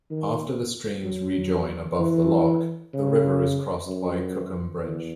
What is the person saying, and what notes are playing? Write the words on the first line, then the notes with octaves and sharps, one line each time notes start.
After the streams rejoin above the lock, the river is crossed by Cookham Bridge.
D#3
F#3
E3
C#3
F#2
E2